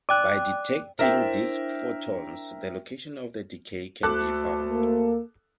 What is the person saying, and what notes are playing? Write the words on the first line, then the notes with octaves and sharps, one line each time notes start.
By detecting these photons the location of the decay can be found.
D5 G5 D6 F#6
D4 E4 A#4 C5 E5 G5
D2 A4 D6 F#6
A#3